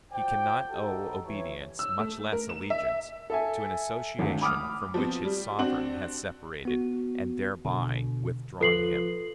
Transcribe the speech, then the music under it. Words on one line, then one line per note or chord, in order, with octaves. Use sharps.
He can not owe obedience--much less allegiance--to an association from which his sovereign has separated, and thereby withdrawn him.
F4 F#4 C5 D5 G5
D#4 F#4 G4 A4
E3 C#5
E6
A3
A#4
E7
E5
A4 E5 G#5
G#1 D2
B5 D6 D#6 F6
F3 B3 C4
G3
C4 D4 F#4 F#7
B3 F#4
B2 D3
F3 F4 A4 B4 C7 F#7